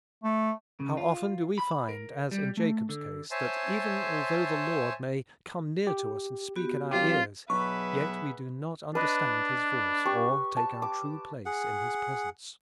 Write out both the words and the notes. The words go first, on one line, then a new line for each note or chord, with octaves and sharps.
How often do we find, as in Jacob's case, that even although the Lord may come near to us and speak in our ears, yet we do not understand his voice or take our true place in his presence.
A3
C#3
F4
B5
A#4
G3
A3
D3
C5 C#5 E5 G#5 A5 C6
G4
B3 F#4 G4
F#3 C4 F4 G4 F5
B1 G#4 B4 E5 F#5 C#6
D4 B4 D#5
G4 C#6
A5
D6
G#4 F#5